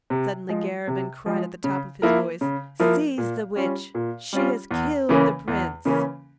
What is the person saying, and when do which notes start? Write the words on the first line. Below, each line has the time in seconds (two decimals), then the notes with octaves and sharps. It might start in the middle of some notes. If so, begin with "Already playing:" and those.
Suddenly, Garabin cried at the top of his voice, "Seize the witch; she has killed the Prince!"
0.10 C3
0.49 F3 G#3
0.88 C3
1.26 F3 G#3
1.64 C#3
2.02 F3 A#3 E4 A#4
2.41 C#3
2.80 F3 A#3 E4 A#4
3.18 A#2
3.56 G3 C#4 F4
3.95 A#2
4.33 G3 C#4 F4
4.71 E2
5.09 C#3 E3 A#3 C#4
5.48 E2
5.85 C#3 E3 A#3 C#4